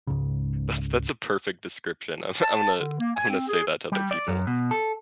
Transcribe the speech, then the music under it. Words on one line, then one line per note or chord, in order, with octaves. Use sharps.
That's that's a perfect description of I'm gonna I'm gonna say that to other people.
C#2 G#2 C#3
A5
D3
A#3
G#5
C4
G#4
G3
D5
F#2
B2
A4